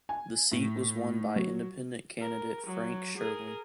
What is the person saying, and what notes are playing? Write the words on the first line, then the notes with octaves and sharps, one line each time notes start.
The seat was won by Independent candidate Frank Sherwin.
G#5
A2
F#3
A#4
F#3
G#4 A#4